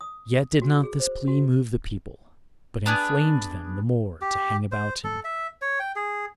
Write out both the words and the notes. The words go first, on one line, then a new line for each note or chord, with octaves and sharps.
Yet did not this plea move the people, but inflamed them the more to hang about him.
D#6
F#4
G#4
C5
F#4
B3 D4 G#4
G4
C5
A4
E5
C#5
G5
G#4